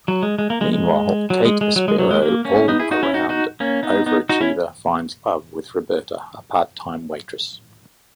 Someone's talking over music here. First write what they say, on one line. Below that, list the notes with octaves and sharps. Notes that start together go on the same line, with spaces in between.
Meanwhile, Kate Aspero, all-around overachiever, finds love with Roberta, a part-time waitress.
F#3
G#3
G#3
A#3
G#3
G#3
F#3
G#3
G#3
F#3
G#3
F#3
G#3
A#3
A#3 C#4
B3 D#4
E4 G#4
D#4 F#4
C#4 E4
D#4 F#4
D#4 F#4
A#3 C#4
B3 D#4
B3 D#4
D#4 F#4
C#4 E4